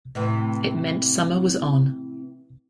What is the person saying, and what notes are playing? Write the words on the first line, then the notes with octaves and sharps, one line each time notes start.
It meant summer was on!
A2 C3 E3